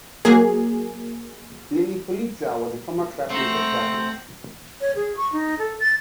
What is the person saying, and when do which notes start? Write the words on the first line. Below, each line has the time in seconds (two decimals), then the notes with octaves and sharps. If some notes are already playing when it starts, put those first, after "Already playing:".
Lilly Pulitzer was a former classmate of Jackie's.
0.25 F#3 A#3 G#4
3.30 A3 C4 C5 F#5 A#5
4.81 C#5
4.95 G#4
5.17 C#6
5.32 D#4
5.59 A4
5.80 A6